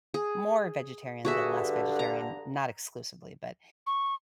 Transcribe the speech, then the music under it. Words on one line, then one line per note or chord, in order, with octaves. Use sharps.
more vegetarian than less vegetarian- not exclusively- but
G#4
G2 D3 F#4 G#4 E5
A#5
C#6